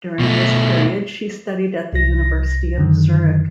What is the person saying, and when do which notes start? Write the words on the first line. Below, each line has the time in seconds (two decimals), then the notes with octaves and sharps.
During this period, she studied at the University of Zurich.
0.20 B2 A3
1.93 C2 A#6
2.78 F#2 D3 D#3